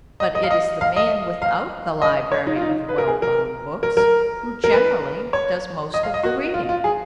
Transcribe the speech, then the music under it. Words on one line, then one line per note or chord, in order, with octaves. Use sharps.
But it is the man without the library of well-bound books who generally does most of the reading.
D#5
D#5
F5
D#5
F5
D#5
F5
D#5
C#5
D#4
F4
D#4
B4
A#4
G#4
A#4
A#4
A#4
A#4
B4
C#5
D#5
F5
D#5
F#4
F4
F4
G#4